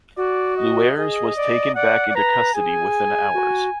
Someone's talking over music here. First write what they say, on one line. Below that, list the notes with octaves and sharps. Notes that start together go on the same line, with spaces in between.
Luers was taken back into custody within hours.
F#4 D5
D#5
G#4 D#5
D5
D5 F#5
D5
B4 A#5
G#4 G#5
F#4